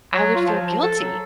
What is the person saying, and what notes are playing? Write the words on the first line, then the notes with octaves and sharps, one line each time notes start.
I would feel guilty
F#3
F4
F3
F3
A4
F#3